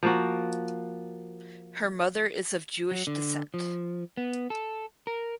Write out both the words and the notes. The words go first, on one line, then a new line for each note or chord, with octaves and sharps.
Her mother is of Jewish descent.
F3 A#3 F#4
F#3
D3
F3
B3
A4
A#4